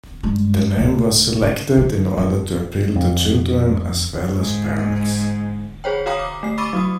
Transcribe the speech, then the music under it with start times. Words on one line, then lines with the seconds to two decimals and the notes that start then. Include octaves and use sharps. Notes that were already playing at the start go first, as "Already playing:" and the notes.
The name was selected in order to appeal to children as well as parents.
0.23 G2 G#3
0.76 D2 C#3
1.42 C#3
1.77 D3 E3
2.18 F2
2.96 F2
4.34 G#2
5.84 G#4 C5 C#5 G5
6.06 F#4 C#5 F5 G5 A#5 D#6
6.19 D6
6.43 A3 C7
6.58 B5 C#6 D6 E6 A6 D#7
6.73 F#3 F#4 D#6